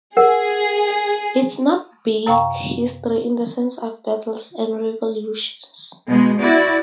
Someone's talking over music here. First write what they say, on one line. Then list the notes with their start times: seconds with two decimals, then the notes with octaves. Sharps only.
It's not "big" history in the sense of battles and revolutions.
0.17 G#4 A#4 F#5
2.26 F#2 C3 F5 G5 A#5 C#6
6.07 B2 G#3
6.40 E4 F#4 D5